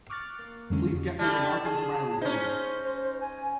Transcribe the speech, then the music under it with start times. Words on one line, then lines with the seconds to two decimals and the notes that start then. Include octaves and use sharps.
Please get me the Welcome to the Rileys game.
0.10 C#6 D6 F6 F#6 A6
0.39 A#3
0.70 F2 D3 E3 F#3 G#3 C#4
1.19 G3 A3 A5
1.65 G#4
2.22 C#4 D#4 C5
3.21 G#5